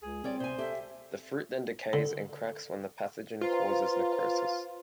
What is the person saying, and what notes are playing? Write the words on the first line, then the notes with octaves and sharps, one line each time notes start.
The fruit then decays and cracks when the pathogen causes necrosis.
C#2 G#4
G3 C4 C#5 D5
C3 C5 G#5
G4 A4 E5
D3
F4 B4 C5 A#5